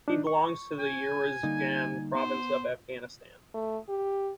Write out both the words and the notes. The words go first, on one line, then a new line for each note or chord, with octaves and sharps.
He belongs to the Uruzgan province of Afghanistan.
D4 D#4
C#6
G#5
D3 G3 A#3 D#4
B3 C5
A3
G4